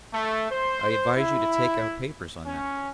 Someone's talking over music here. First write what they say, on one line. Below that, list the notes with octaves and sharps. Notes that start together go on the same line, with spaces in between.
"I advise you to take out papers on that."
A3
C5
E4
C#4